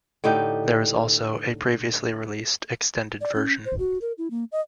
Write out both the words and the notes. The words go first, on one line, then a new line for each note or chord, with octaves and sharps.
There is also a previously released extended version.
A2 D3 D#4 G4
D5
C#4
C5
F#4
A#4
E4
A#3
D#5